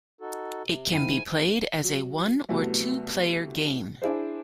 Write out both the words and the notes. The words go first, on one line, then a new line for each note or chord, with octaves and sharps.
It can be played as a one or two player game.
D#4 F#4 A4
C3
G#2 D#3 E4 F4 G#5
F#3
C2 F#3 A3 B3
D4 E4 G#4 C5